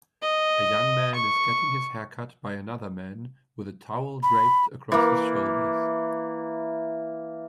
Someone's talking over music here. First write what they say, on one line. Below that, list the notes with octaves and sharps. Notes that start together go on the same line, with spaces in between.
A young man is getting his haircut by another man with a towel draped across his shoulders.
D#5
C#6
B5
E3 A#3